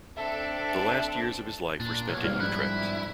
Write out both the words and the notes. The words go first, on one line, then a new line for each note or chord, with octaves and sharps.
The last years of his life were spent in Utrecht.
C4 D4 A4 E5
A#2 D4
B1 C#5
G#2 F3 G3 F4 F6
G3 E4 F#6